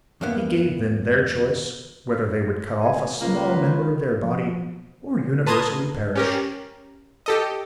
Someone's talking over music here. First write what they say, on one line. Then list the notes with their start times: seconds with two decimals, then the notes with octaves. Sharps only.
He gave them their choice, whether they would cut off a small member of their body, or universally perish.
0.21 E2 G2 A#3 B3
2.73 G#5
3.21 C#2 A#3 F4 B4 C5
4.23 F3
5.46 B4 A5 A#5 C6 D#6 G#6
6.16 C#4 G4 A#4
7.26 G4 A4 D#5